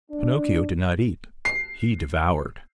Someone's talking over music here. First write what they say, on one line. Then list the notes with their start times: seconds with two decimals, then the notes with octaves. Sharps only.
Pinocchio did not eat; he devoured.
0.11 D4
1.45 C7